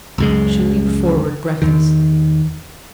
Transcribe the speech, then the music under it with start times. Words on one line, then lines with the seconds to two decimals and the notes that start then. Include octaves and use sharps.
She leaned forward breathlessly.
0.18 C#2 F#2 G#3
1.62 E2 D#3